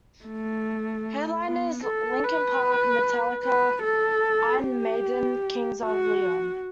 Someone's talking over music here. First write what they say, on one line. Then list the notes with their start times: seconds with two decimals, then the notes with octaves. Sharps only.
Headliners: Linkin Park, Metallica, Iron Maiden, Kings Of Leon.
0.25 A3
1.45 B3
1.85 A4
2.24 B4
3.44 B4
3.84 A4
4.64 G4
5.83 F#4